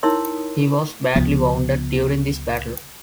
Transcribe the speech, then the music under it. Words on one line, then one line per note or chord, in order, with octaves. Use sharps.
He was badly wounded during this battle.
D#4 E4 A#4 C#5 C6 E6
C#2 F3 B3